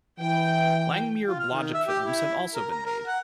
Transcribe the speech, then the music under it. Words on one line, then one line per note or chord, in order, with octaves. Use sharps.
Langmuir-Blodgett films have also been made.
E3 G5
F4
F6
D#3
E5
G4
E4
A#4
A#5
A#4
F#5